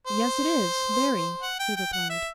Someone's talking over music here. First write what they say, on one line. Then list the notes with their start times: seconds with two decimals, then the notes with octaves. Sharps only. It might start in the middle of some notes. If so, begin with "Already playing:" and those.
'Yes, it is, very,' he replied.
0.07 C5
1.42 F#5
1.59 G5
1.76 G5
1.93 F#5
2.10 E5